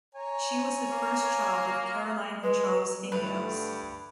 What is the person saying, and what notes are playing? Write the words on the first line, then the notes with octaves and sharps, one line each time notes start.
She was the first child of Caroline and Charles Ingalls.
C#5 G#5 A#5
A#3
G#3 B4
G2 D3 A3 B4 B5 F7